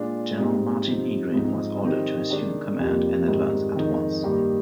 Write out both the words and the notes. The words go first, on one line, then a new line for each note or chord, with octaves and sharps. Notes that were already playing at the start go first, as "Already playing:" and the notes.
General Martin E. Green was ordered to assume command and advance at once.
Already playing: A#2 G#3 D4 F4
G#2 G3 C4 D#4
C3 F3 C4 D#4
G#2 F3 C4 D#4
D#3 G3 C4 D#4
D#3 G#3 D4
F2 C3 G3 A#3 F4
G#2 D#3 G3 C4
F2 D#3 G#3 D#4
G2 D#3 G3 A#3